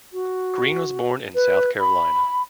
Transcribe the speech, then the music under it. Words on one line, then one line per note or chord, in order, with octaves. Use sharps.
Green was born in South Carolina.
F#4
B4
B5